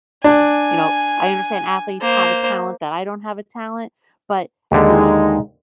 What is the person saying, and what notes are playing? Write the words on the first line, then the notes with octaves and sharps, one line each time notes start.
You know, I understand athletes have a talent that I don't have a talent, but the
D4 G#5
A#3 C5
D#2 D3 G#3 D#4